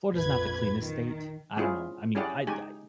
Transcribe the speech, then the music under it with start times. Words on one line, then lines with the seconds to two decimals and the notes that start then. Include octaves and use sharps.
Florida is not the cleanest state. I don't know. I mean, I I
0.13 A#1 F2 B4 G#6
0.81 D#3
1.57 G#3 C4 C#4 E4 F4 G#4
2.15 C#4 E4 G4 G#4 D5 F#5
2.47 G#3 D#4 G4 G#5